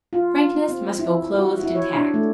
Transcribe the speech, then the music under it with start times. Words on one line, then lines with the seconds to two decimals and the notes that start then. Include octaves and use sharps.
Frankness must go clothed in tact.
0.13 F4
0.69 C4
0.99 E4
1.36 F#4
1.63 E4
1.75 C#5
1.96 D4
2.14 A3